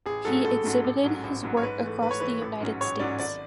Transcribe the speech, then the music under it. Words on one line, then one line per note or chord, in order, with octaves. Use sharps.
He exhibited his work across the United States.
A1 G#4
G#2 F#3 A3 C#4 A4
A1 A4
G#2 F#3 A3 C#4
A1
G#2 F#3 C#4
A1
G#2 F#3 C#4
C#5
G#2 B4
E3 A3
G#2 B4
C#5
E3 A3 B4
A1
G#2 F#3 C#4
A1 C#5
G#2 F#3 C#4 D5
G#1 D5